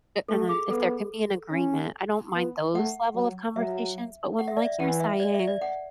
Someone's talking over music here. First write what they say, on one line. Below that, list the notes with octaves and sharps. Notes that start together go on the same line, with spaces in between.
a and then if there can be an agreement, I don't mind those level of conversations, but when, like you're saying,
A3 A4
G#4
B3 A4
C#4
B3
A3 F#5
F#3
F#3 E5
F#5
E5
D5
E5
E3 F#5
E5
D5
E5
D5
F#5